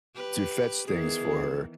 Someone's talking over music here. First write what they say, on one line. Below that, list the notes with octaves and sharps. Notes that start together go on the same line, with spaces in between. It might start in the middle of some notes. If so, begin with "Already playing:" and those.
to fetch things for her,
G4 B4
D#3 E3 B3 G#4